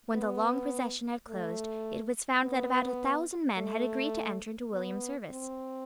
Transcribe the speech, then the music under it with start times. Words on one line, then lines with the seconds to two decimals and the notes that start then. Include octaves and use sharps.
When the long procession had closed, it was found that about a thousand men had agreed to enter into William's service.
0.13 B3
1.29 A3
2.43 B3
3.57 A3
4.73 B3
5.31 C4